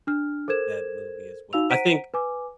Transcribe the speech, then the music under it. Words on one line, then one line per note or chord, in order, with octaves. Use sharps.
that movie, as well. I think
D4 F6
A4 A#4 C5 G#6 E7
D#4 F#4 F5 E6 F7
C5 F#5 A#5 B6 D7 D#7
B4 G#5 D6